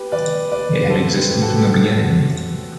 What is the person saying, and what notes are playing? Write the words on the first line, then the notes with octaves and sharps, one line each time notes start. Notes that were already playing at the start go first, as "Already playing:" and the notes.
It had existed from the beginning.
Already playing: G4 B4
B4 D5
B4 D5
A4 C5
G4 B4
G4
F#4 A4